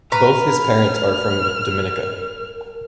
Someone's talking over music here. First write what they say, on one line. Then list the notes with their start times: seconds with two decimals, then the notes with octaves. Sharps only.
Both his parents are from Dominica.
0.12 B4 A#5 F6
1.45 A#4